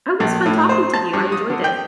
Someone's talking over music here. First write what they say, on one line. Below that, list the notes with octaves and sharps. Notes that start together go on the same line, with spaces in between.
It was fun talking to you, I enjoyed it.
A#1
A2
C5
A5
G2
D#6
D3
G5